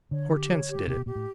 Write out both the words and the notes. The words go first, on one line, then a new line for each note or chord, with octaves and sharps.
"Hortense did it."
D3 C#5
G4
C#5
G4
C3 G4
B2
A#2 G4
A2